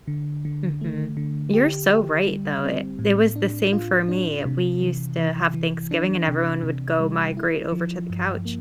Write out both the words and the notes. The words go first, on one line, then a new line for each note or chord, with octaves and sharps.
Mhm, you're so right though, it it was the same for me, we used to have Thanksgiving, and everyone would go migrate over to the couch
D3
D3
A3
D3
G4
G4
G3
C4
A2
D4
F4
D4
C3
E3
E3
E3
D4
C3
C3
G3
E4
F3
G2
A#3